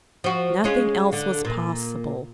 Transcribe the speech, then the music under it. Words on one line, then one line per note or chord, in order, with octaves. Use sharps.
Nothing else was possible.
F3 F#4
G#3 C#4 F4
D3
A#2